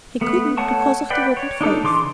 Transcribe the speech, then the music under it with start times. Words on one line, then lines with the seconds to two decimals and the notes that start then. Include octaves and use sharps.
He couldn't because of the wooden face.
0.21 A3 B3
0.57 A3 C#5 F#5 A5 C#6
1.10 B4 D5 F#5 G5
1.37 C#5
1.61 D4 D#4 A4
1.83 C#3 E3 C6 D6